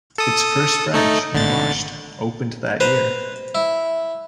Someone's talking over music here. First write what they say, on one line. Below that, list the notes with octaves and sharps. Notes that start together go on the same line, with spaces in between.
Its first branch, in Rasht, opened that year.
A4 D#6
A3 D#4 A4
G#1 D3 A6
B4 C5 A#5
E4